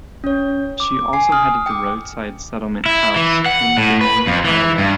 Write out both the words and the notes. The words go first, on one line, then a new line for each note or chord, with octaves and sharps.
She also headed the Roadside Settlement House, in Des Moines, Iowa.
C#4 C#5
D6
G#5 C7
D#6 F6
G5 D6
E4
E3
F#5
A2
B4
F2
E3
G2